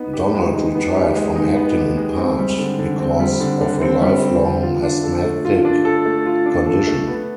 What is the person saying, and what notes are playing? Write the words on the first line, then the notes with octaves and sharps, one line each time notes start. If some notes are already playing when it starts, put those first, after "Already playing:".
Donald retired from acting in part because of a lifelong asthmatic condition.
Already playing: B3 D#4
G4
G#3
D#4
B3
G4
G#3
D#4
B3
G4
G#3
C4
G3
D3
D3
C4
G3
D3
D3
C4
G3
D3
D3
F4
D4
A4
A3
F4
D4
A4
A3
F4
D4
A4
A3
B3